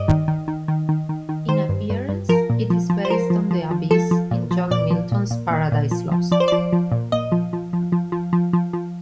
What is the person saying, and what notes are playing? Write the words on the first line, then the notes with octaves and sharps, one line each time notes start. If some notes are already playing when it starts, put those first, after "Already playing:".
In appearance, it is based on the Abyss in John Milton's "Paradise Lost".
Already playing: G2 D5 D#5
D#3
D#3
D#3
D#3
D#3
D#3
D#3
D#3 C5
G2
G2
G2
F3 A#4
A#2
F3
F3
C5
F3 A#4
F3
F3
F3
F3 A4
F3
A#2
F3
A#2 D5
F3
A#2
A#2
A#2
A#2
F3
F3
F3 D5
C5
F3 D5
F3
A#2
A#2 D#5
F3
F3
F3
F3
F3
F3
F3
F3